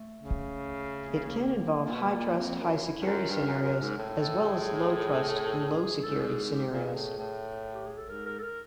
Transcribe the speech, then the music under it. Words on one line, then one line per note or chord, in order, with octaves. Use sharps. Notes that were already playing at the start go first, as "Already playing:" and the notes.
It can involve high-trust, high-security scenarios as well as low-trust, low-security scenarios.
Already playing: A3
C#3
A#3
A#2
B2
A#2
F2
F#2 E4
E4
G2
F#2 F4
G2 A#4
F#2
F#2
G#2
A2
A4
G#4
G#4
G#2 A4
G#4
G#4
G4
A#2 G#4
A#2
A2
A2
G4
G#4
A4
G#2 A#4
A#4
A4
A#4